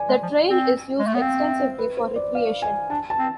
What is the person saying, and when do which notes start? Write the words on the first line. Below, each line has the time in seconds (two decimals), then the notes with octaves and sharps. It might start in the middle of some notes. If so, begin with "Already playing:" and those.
The trail is used extensively for recreation.
Already playing: D5 G#5
0.09 G#3
0.23 F3
0.51 C4
0.99 G#3
1.07 A3
1.14 B3
1.21 C4 F5
1.40 E5
1.60 C5
1.79 B4
1.97 C5
2.16 D5
2.35 F5
2.62 G#5
2.90 D4 A5
3.10 A5
3.19 C4